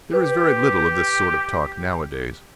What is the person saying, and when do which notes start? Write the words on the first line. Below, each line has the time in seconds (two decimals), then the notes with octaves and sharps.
There is very little of this sort of talk now-a-days.
0.13 G4 B4